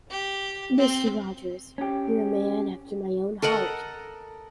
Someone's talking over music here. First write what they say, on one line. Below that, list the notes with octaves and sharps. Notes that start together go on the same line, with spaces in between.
Mr. Rogers, you're a man after my own heart.
G4
C4
C#4 G4
A4 A#4 D#5 F#5